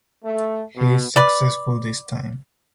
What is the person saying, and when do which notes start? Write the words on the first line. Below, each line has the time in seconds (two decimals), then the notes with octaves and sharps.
He is successful this time.
0.24 A3
0.76 B2
1.16 B4 D5